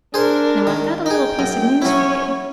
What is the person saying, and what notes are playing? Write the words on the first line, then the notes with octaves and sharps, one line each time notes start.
Now I've got a little piece of news for you.
D4 G#4 A#4 C5
D#3
D#4 G#4 G5
F#2
F#3 C#4 E4 C#5